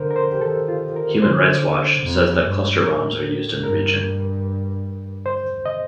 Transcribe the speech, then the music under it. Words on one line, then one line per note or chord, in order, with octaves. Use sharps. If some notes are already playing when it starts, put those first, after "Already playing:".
Human Rights Watch says that cluster bombs are used in the region.
Already playing: D3 A#4 C5
A#4
C5
G4
D#3 A4
F4
A#4
D3 C5
F2
G2
A2 A#4
G2 A#4
C5
D#5